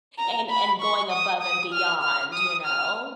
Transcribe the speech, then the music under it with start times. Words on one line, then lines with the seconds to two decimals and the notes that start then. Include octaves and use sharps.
and and going above and beyond, you know?
0.19 A#5
0.50 B5
0.80 C#6
1.11 D#6
1.41 D#6
1.73 F6
2.02 F6
2.34 D#6
2.64 F6